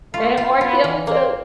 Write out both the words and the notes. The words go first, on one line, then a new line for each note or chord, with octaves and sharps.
And R. Kelly too.
A3 F4
F4
B3 F4
E3
A#3 C4